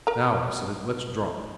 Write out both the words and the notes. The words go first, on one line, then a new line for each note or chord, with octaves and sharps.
"Now," I said, "let's drop."
A#4 A#5